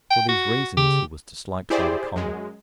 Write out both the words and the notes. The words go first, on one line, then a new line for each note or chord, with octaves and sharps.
For these reasons he was disliked by the Commons.
G5
F#4
C#3 G4
E4 G4 G#4 C5 D5
F#2 G#3